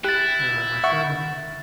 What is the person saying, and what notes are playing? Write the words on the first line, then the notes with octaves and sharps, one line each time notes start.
uh, my son
E4 G4 F#6 A6
E5 F#5 C#6